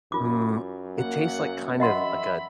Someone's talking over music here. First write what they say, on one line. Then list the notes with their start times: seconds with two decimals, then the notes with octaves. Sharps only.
mm, it tastes like, kind of, like a
0.12 F#2 F4 D6
0.97 A#3 F#5
1.80 D#5 E5 F#5 B5 C6